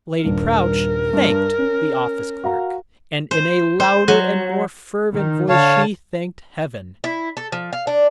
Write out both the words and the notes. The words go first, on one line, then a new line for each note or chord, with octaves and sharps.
Lady Prowche thanked the office clerk, and in a louder and more fervent voice she thanked Heaven.
D#1 G2 A#4
G2
C#4
F#4 F5 A#5
C5
C5
F#3
D#3
D3 C#5 F5 A5
E4
A4
F3
F5
D4